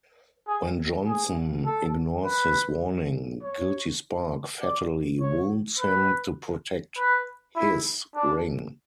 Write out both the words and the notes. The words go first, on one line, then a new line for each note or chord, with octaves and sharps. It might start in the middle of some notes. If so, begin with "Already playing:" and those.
When Johnson ignores his warning, Guilty Spark fatally wounds him to protect "his" ring.
G#4
G#4
A4
B4
C#5
D5
C#5
B4
B4
E4
D4